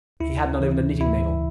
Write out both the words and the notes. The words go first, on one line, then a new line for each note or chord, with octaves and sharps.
"He had not even a knitting-needle."
D2 E4
C#3 E3
D2 E4